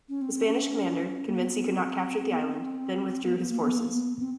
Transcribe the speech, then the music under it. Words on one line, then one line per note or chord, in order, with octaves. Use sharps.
The Spanish commander, convinced he could not capture the island, then withdrew his forces.
C#4
C4
C4
C#4
A#3
B3
B3
C4
C4
B3
C4
B3
B3
A#3
B3
A#3
B3
C4